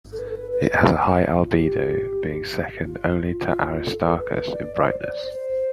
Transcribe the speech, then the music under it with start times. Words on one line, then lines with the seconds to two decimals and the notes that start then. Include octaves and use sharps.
It has a high albedo, being second only to Aristarchus in brightness.
0.13 A4
0.19 B4
0.28 A4
0.36 B4
0.52 B4
1.44 F4
1.52 G4
2.85 F4
3.51 F4
3.85 A4
4.02 A4
4.18 B4
4.51 D5
4.77 D5
4.85 C5
5.01 D5
5.17 C5
5.34 C5